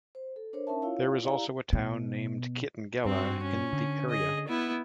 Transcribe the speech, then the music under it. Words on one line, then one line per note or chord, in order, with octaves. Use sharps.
There is also a town named Kitengela in the area.
C5
A4
D4 A#4 C5 C#5
C#4 D#4 A#4 E5 A5
E4 F4 C#5 F5
E4 G4 D5 F5 A#5
B2
G2 C4 F#4
C#4
D3
G#4 D#5
B3 E4